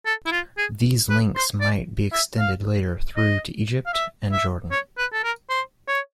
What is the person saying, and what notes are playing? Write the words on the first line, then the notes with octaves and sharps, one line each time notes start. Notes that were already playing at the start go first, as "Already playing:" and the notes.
These links might be extended later through to Egypt and Jordan.
A4
E4
F4
G#4
B4
C5
D5
E5
F5
D#5
F5
E5
E5
C#5
B4
A4
A#4
C5
C#5